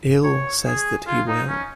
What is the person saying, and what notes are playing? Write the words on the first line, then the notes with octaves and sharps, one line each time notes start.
Ill says that he will.
C#5
G#4
F4
D#4
C#4